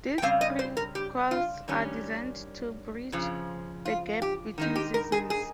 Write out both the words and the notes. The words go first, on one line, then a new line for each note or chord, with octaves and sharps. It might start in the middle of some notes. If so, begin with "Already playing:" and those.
These prequels are designed to bridge the gap between seasons.
G5
C#3 G3 C4 F5
D#5
C5
A#4
G4
F4
G2 D#3 G3 C#4
F2 C#3 F3
F4
G4
D#3 G#3 D#4
G4
A#4
G#4
G#4